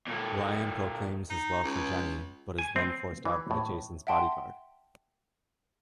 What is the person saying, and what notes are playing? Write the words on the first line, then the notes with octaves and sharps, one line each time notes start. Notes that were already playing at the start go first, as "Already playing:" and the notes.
Ryan proclaims his love for Jenny but is then forced out by Jason's bodyguard.
A#2 A4
D#4
C#2
G#5
C4
E3
A2
E5 F#5 G5 A5 C6